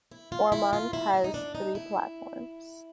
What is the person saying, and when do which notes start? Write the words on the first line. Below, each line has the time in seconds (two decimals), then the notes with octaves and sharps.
Ormond has three platforms.
0.11 E4
0.32 F4
0.52 E4
0.73 F4
0.93 E4
1.14 E4
1.24 D#4
1.34 D4
1.55 D#4
1.75 E4